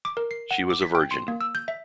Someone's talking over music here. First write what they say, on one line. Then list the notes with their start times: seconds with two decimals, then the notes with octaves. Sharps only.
She was a virgin.
0.05 D6
0.17 A#4
0.31 C7
0.51 F#5
0.70 D6
0.82 B6
0.95 G5
1.11 C6
1.28 A#3
1.41 E6
1.55 G6
1.68 E5